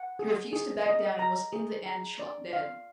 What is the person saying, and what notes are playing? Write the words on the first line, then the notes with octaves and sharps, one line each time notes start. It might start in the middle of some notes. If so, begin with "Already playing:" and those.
He refused to back down and was in the end shot dead.
Already playing: F#5
G#4
G#4
D#5
A#5
G#4
A#5
D5
F5